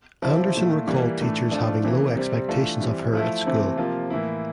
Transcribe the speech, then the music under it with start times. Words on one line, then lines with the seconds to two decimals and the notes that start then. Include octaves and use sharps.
Anderson recalled teachers having low expectations of her at school.
0.22 C3 F3 C4 E4
0.55 A#2 A3 E4
0.87 E3 G3 A#3
1.20 A2 E3 A3 D4
1.51 F3 A3 D4 F4
1.84 C3 E3 A#3
2.16 C3 G3 C4
2.48 E3 A3 D4 F4
2.81 E3 G3 C4
3.13 F3 A3 E4
3.45 C3 E3 A3 C4 E4
3.78 C3 F3 A#3 F4
4.10 A2 E3 A#3 E4